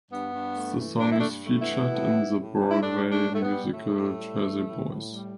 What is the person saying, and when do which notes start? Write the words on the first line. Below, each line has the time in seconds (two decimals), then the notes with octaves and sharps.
The song is featured in the Broadway musical "Jersey Boys".
0.10 G2 B3
0.32 G2
0.55 A3
0.78 E3
1.00 G2 D4
1.10 E4
1.19 A3 D4
1.23 G2
1.45 A3
1.60 B3 E4
1.67 E3
1.91 A2
2.13 G3
2.36 A2
2.58 G3
2.70 E4
2.81 A2 A3 D4
3.04 G3
3.11 A3 D4
3.27 A2
3.34 A3
3.42 B3
3.49 G3
3.72 A2 A3
3.94 A2
4.17 G3
4.39 E3
4.62 A2
4.85 A2
5.08 G3